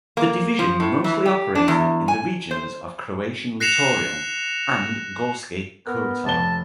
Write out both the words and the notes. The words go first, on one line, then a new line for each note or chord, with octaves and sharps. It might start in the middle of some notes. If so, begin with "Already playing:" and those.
The division mostly operated in the regions of Croatian Littoral and Gorski Kotar.
A#3
F3
A2
E3
G4
D4
E2
G#5
C5
F#6 A#6 C7 C#7 E7 F7
B3 A#4
F1 A5 G7